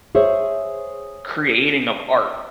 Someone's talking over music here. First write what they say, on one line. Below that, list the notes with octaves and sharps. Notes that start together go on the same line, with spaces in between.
creating of art
G#4 C5 C#5 E5